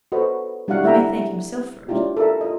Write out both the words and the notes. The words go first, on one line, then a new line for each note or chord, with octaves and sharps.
"He may thank himself for it."
F#4 A4 B4 C5 D#5
G3 D4 E4 F#4 F5 F#5
G3 A3 E4 E5 G5 A#5
G#3 C#4 D4 E4 F4 G4
A4 A#4 E5
F4 D#5